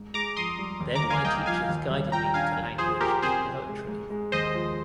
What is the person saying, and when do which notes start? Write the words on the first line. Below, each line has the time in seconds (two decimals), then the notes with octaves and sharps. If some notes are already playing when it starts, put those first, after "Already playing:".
Then my teachers guided me to language and poetry.
Already playing: G#2
0.14 G#3 A#5 D6
0.37 F2 C6 D#6
0.59 G3
0.80 D#2
0.95 A#5 D6
1.03 A#3
1.10 F5 G#5
1.25 C2 D#5 G5
1.46 F3 F5 G#5
1.69 D#2
1.90 G3
2.12 A#2 G5 A#5
2.34 D4 F5 G#5
2.57 D#2
2.78 F3 G#4 C5
3.00 A#2 G4 A#4
3.22 C4 G#4 C5
3.45 C3
3.67 G#3
3.88 G#2
4.10 G#3
4.32 D#2 C5 D#5
4.54 F3